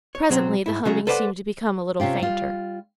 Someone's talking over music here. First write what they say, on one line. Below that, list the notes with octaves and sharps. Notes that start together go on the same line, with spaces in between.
Presently the humming seemed to become a little fainter.
C#5
B1 F#3 C4 C5
G#2 E4
C#3 F#3 A3
A4 B4 C5 D5 E5 F#5
C3 C#4 F4 G4
G3 F4